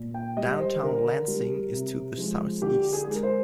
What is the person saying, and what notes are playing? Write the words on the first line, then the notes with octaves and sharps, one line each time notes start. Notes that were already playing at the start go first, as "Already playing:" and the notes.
Downtown Lansing is to the southeast.
Already playing: A#2
G5
G3 D#5
C5
D3 A#4
G3
C3
F3 G#3
D3 G4
G#4
G#3 G#4
A#4
C5